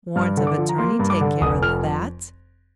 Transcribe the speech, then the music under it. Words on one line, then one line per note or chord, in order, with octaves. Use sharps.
Warrant of attorney--take care of that.
G2 F6
D3
D6
F3
A#5
A#3 C6
G2
D6
D3
F1 D#6
F2 F6